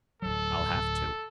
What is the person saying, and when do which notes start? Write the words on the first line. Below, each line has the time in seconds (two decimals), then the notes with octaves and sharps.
I'll have to.
0.22 D1 F#3 A4